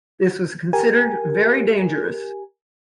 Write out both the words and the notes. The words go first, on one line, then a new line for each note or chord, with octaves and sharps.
This was considered very dangerous.
G4 A#4 G#5